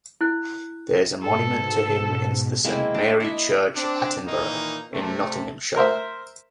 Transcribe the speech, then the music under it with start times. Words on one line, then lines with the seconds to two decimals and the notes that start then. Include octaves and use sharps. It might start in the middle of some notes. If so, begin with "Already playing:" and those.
There is a monument to him in Saint Mary's Church, Attenborough in Nottinghamshire.
0.21 E4 F#6
1.23 G#2 B2 A4
2.64 G#3 A#3 C4 E4
2.94 D4
3.20 E4 D#5 E5
3.75 C4 D4
4.25 A#2 D#3 E3 A#3 D#4
4.93 C3 A3
5.76 A#4 C5 E5